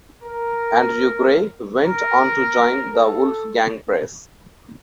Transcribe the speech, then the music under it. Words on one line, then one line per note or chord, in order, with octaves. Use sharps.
Andrew Gray went on to join The Wolfgang Press.
A#4
A#4
A4